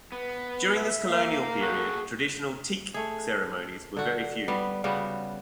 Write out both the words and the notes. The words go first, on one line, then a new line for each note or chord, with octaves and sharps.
During this colonial period, traditional Teke ceremonies were very few.
B3
E5
A#3 F5
F#4 G#4 A4 F#5
A3 G#4
D3 F#4
G3 B3
C#3 G3 B3 F#4